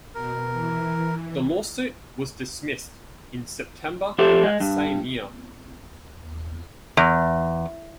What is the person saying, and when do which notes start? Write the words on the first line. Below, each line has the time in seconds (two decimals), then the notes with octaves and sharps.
The lawsuit was dismissed in September of that same year.
0.15 B2 A#4
0.51 E3
4.18 F2 G4 A4 C5 E5
4.43 G#3
4.60 G2
6.97 E2